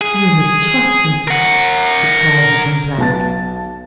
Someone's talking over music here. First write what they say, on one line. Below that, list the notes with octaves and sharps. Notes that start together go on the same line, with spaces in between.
'You mistrust me?' he cried, looking black.
G#4
A#4 F#5
B1 B3 A5 A6